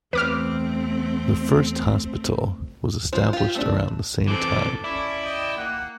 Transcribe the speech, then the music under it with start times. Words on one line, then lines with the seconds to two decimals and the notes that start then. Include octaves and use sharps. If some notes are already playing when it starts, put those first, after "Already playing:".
The first hospital was established around the same time.
0.13 E2 A3 C4 G4 B4 D6 F6
3.13 G#3 F4 C5
3.33 F4 G4
3.55 A3 C4 D4
4.27 E3 C4 A4 D6
4.84 C#4 E4 A4 D5
5.23 D#5 G5
5.58 A#3 F#5